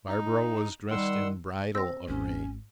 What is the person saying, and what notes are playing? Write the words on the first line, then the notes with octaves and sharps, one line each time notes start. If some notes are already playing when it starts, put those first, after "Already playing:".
Barbara was dressed in bridal array.
D#4
D#3 G3 F#5 C6 E6
C4 E6 A#6
G#1 C#4